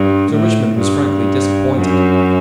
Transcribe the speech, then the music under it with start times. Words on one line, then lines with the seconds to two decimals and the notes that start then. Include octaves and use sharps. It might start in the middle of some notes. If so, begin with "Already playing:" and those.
Sir Richmond was frankly disappointed.
Already playing: G2
0.32 A2
0.80 G2
1.78 F#2